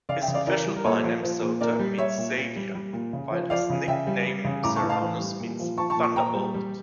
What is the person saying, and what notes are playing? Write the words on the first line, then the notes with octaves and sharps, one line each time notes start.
His official byname "Soter" means "Saviour", while his nickname "Ceraunus" means "Thunderbolt".
C#3 D5 F5
E5 G5
C#3
D5 F5
E3 A#4 D5
G3
A#4
A#2 A4 C#5
F3
F3
A#2
A#2 A#4 D5
G3
G3 C#5 E5
A#2
A#2
G3
G3
A#2
C#3
F3
F3 D5 F5
C#3
C#3 E5 G5
G3
G3
C#3
A2 A#5 D6
A5 C#6
A2
F5 A5
E3
G3
A#2
F3
F3 A5 C#6
A5 C#6
A#2
A5 C#6
A#2 G5 A#5
G3
G3